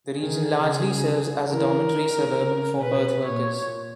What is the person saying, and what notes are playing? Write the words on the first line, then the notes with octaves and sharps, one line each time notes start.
The region largely serves as a dormitory suburb for Perth workers.
D#3 G#4
C#3
E3 A#4
D#3
C#3
B2 B4
A#2 C#5